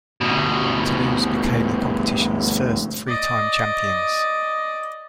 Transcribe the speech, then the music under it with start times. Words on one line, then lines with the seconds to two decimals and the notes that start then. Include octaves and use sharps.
Toulouse became the competition's first three-time champions.
0.21 D2 B2
3.07 D5 D#5